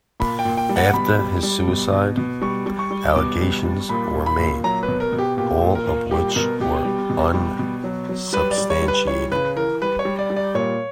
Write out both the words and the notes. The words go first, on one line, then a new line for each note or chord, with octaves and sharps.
After his suicide, allegations were made, all of which were unsubstantiated.
A#2 B5
G5
A#2
G5
G3
F#5
B2 B5
G3
G3
B2
B2
B2
G3 C#6
G3
C#6
G3
B2 D6
G3
G3
A#2 B5
A#2
B5
A#2
F#3 A#5
B4
B2
A#4
B2
G4
A#2 G4
A#2
A#4
A#2
G3 G4
B2 A#4
B2 G4
G3
B2
G3
B2
F#3
F#3
G3 B4
D5
G3
C#5
G3
B4
E3 C#5
C#3 B4
E3 A#4
G3 B4
C#5
G3
D5
G3
D5
A#2 C#5